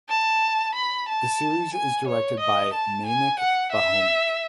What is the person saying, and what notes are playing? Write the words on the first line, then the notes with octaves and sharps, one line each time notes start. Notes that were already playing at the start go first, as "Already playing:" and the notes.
The series is directed by Mainak Bhaumik.
A5
B5
A5
G#5
C#5
D#5
A5
G#5
F#5
E5